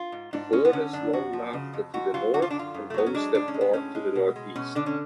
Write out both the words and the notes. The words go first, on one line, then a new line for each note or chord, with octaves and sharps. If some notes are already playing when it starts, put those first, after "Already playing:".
It borders Langlaagte to the north and Homestead Park to the northeast.
Already playing: F4
G#2
G#2 D4
G#3 C#4
B3
D3 C#4
F#2 D4
F#2 F#4
F3
C#3
F2
F2 F#4
F#3 F4
D3 F#4
F4
D4
F#2
F4
F#2
A3
F#3 B3
C#4
G#3 D4
A2 D4
C#4
G#3
B3
A2 C#4
G#3
B2
G#3
B2 C#4
D3 D4
C#4